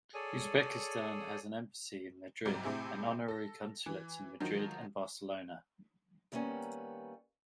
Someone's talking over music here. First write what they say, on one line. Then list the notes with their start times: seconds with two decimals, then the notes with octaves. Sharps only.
Uzbekistan has an embassy in Madrid and honorary consulates in Madrid and Barcelona.
0.14 G#4 A4 C#5 D5 G#5
2.45 G#2 C3 F#3 G3
2.64 A2 C3 C4 E4 G#4
3.28 A4 A#6
3.86 E3
4.40 D#3 F3 F#3
6.32 D#3 G3 A#3 B3 C#4